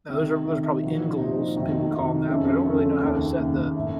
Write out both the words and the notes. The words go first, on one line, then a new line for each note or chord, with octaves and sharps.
those are those are probably end goals, some people would call them that, but I don't really know how to set the
C3 D#3 A3 D#4
C3 D#3 A3 D#4
A#2 F3 C4 D#4 F#4
A#2 F3 C4 D#4 F#4
F2 D#3 A3 D#4 F#4
F2 D#3 A3 D#4 F#4
F2 C#3 A3 C#4 A4
F2 C#3 A3 C#4 A4
D#2 C#3 A3
D#2 C#3 A3
A2 A3 C#4